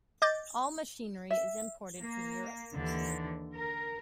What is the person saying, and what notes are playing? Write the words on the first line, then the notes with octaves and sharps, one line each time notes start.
All machinery is imported from Europe.
D#5 D6 G6 A6
E5
A#3
D#2 D3 E3
A#4